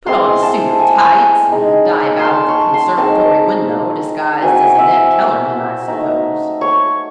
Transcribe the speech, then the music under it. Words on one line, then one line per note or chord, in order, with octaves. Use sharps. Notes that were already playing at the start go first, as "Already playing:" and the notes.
"Put on a suit of tights and dive out of the conservatory window disguised as Annette Kellerman, I suppose."
G#3 C4 E4 C6
A5
G#5
G#3 D#4
C6
A5
C#6
C6
G#3 C4 D#4 A5
F#3 C4 E4 G#5
E5
A3 D#4
C#5